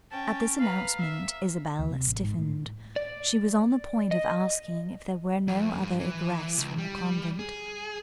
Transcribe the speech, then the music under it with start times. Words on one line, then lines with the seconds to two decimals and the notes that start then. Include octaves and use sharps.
At this announcement Isabel stiffened; she was on the point of asking if there were no other egress from the convent.
0.11 C#4 G5 A5
0.60 B4 F5 A#5
0.99 E5
1.79 D2
1.91 C3
2.07 A1
2.23 G#2
2.38 A2
2.96 D5
4.11 D#5
5.48 F2
5.82 G2
6.00 E3
6.58 C#2
6.78 G3
7.39 G#4